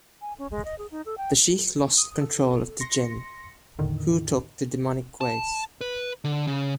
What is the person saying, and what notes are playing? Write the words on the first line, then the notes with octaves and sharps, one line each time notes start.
The sheikh lost control of the jinn, who took to demonic ways.
G#5
C#4
G#3
D#5
G#4
D#4
A4
G5
D#6
A4
C6 A#6 C#7
E2 A2 D3 D#3
A5
B4
D3
C#3